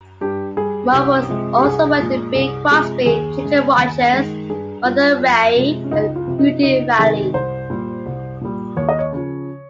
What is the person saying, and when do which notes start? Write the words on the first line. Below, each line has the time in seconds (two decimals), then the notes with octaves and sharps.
Morros also worked with Bing Crosby, Ginger Rogers, Martha Raye, and Rudy Vallee.
0.21 G2 G4
0.57 G3 G#4
0.92 C2 G4
1.29 C3 F3 G#3
1.58 G4
1.64 C2 G#4
1.99 A#2 F3 G#3
2.35 C2 G#4
2.71 C3 F3 G#3 G#4
3.06 D#2 G#4
3.42 C#3 G#3
3.78 D#2
4.13 D#3 G#3
4.49 G2 G#4
4.85 G3 F4
5.20 F2
5.56 C3 F3 G#3
5.84 C#4
5.91 C#2 D#4
6.16 F4
6.28 C3 F3
6.39 D#4
6.63 C#2 D#4
6.99 C3 D#3 G#3 G#4
7.34 C2 C5
7.70 A#2 G3
8.06 C2
8.41 A#2 G3
8.77 D#2 C#5
8.89 D#5
8.99 C#5
9.13 C#3 F3